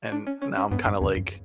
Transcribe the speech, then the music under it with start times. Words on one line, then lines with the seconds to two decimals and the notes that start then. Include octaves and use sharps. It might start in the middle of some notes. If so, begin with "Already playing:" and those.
and now I'm kinda like,
0.12 D4
0.27 C#4
0.42 C#4
0.57 C#4
0.71 G2 B3
0.86 G2
1.01 E2 C#3
1.17 F#2